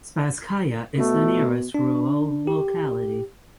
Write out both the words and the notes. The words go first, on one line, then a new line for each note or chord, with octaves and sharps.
Spasskaya is the nearest rural locality.
B2 A3
D4
G4